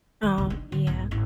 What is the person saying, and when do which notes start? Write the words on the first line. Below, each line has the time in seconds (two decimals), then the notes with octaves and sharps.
Oh, yeah.
0.23 D#3
0.38 D2 C3
0.50 D4 D#4
0.72 D3
0.87 B1 G#2
1.11 G#1 E4